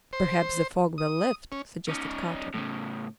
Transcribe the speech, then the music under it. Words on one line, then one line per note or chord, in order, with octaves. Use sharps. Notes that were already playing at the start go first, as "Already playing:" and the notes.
"Perhaps the fog will lift?" suggested Carter.
C5
D#6
C#4
C#4 D#4
A2 C#3